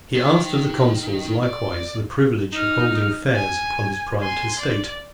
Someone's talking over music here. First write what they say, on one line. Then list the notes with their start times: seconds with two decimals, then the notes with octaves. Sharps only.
He asked of the consuls likewise the privilege of holding fairs upon his private estate.
0.15 D#3
1.43 D5
2.53 D#4 F6
3.35 G#5
4.20 G#5 C6
4.60 D5